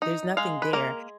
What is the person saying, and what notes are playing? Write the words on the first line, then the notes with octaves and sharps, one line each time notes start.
there's nothing there.
D#4
G#3 F5
B4
A#3 A#4